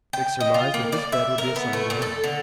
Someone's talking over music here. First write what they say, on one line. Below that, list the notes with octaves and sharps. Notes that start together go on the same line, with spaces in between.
Dick surmised that this bed would be assigned to him.
G5
D#5
F4
A#3
D5
E5
A#4
B3
A3
A#2
A4
D3